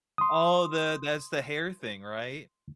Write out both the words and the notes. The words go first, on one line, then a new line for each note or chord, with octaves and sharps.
Oh, the that's the hair thing, right?
C6 D#6